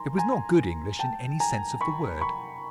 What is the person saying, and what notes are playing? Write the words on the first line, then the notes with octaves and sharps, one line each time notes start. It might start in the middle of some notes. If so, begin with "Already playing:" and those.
It was not good English in any sense of the word.
Already playing: G#5 A#5 C6
G#5 A#5
G5 A5
G#5 A#5
B5 C#6
B5 C#6